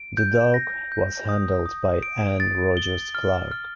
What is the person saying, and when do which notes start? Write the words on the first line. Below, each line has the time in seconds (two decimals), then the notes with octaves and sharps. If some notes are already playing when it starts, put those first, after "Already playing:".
The dog was handled by Anne Rogers Clark.
Already playing: D7
0.17 G6
0.54 A#6
0.92 G6
1.29 D#6
1.66 D#6
2.03 D7
2.40 A6
2.77 G7
3.15 F6
3.51 F6